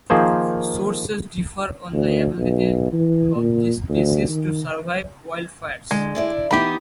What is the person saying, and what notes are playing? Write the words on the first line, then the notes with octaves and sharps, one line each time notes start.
Sources differ on the ability of this species to survive wildfires.
D#3 F3 A#3 G#4 C5
D2
B1
E3
A#2
D2
D#3
D3 G#3
D3 E4 D5
E3 B3 D#4 G4 B5